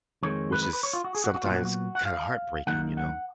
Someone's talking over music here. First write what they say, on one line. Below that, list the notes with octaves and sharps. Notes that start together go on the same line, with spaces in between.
which is s sometimes kind of heartbreaking, you know.
F2 D#3 G#3 C#5
B4
B4
B4
C#5
F4
F#4
G#4
F#4
F#4
A#2 F#3 B3 F4
F#4
F#4
F#5
F5
F#2 D#3 A#3 D#4 F#5
F#5